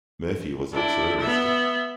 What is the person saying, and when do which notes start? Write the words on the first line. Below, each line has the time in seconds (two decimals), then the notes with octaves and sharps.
Murphy was also arrested.
0.74 D4 E4
1.21 B3 E5